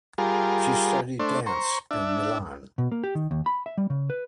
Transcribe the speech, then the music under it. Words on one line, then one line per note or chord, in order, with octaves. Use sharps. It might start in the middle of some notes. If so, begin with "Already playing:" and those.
She studied dance in Milan.
G3 F4 G#4 A#4
A3 D4 C5
C5 A#5 C#6
D4 E5
B2
A#3
G4
D#3
D#2
B5
E5
G3
C#3
B4